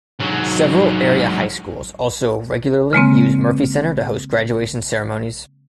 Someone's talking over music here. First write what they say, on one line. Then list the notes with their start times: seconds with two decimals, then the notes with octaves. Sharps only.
Several area high schools also regularly use Murphy Center to host graduation ceremonies.
0.20 G#2 F#3
2.93 C#3 G#3 A#3 C4